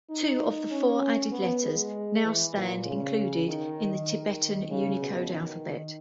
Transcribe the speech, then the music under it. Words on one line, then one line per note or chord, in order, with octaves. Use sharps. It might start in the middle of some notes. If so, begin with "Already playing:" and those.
Two of the four added letters now stand included in the Tibetan Unicode alphabet.
D#4
C#4
B3
G#3
E3
A#2
C#3
D#3
D#3
C#3
B2
D#3